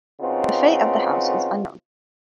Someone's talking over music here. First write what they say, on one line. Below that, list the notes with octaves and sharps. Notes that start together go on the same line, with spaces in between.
The fate of the house is unknown.
C#3 B3 C4 D#4 F4 F#4